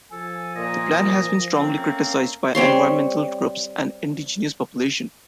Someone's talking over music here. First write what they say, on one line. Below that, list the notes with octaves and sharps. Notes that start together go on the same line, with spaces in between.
The plan has been strongly criticized by environmental groups and indigenous populations.
F3 A4 G#5
A#2 D#5
A3 A#3 C4 C#4
G3 C4 C#5 C6